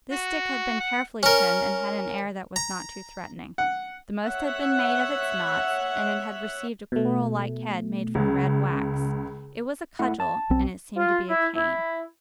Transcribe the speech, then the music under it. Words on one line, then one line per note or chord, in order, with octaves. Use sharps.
This stick had been carefully trimmed, and had an air that was not too threatening; the most had been made of its knots, and it had received a coral-like head, made from red wax: it was a cudgel, and it seemed to be a cane.
F#4
F#5
C#4 A#4
A#5
F#5
C#5 E5 F#5
B2 A3
C#2 C#3
A3 E4 F#5
A5
B1 C4
F4
E4
E4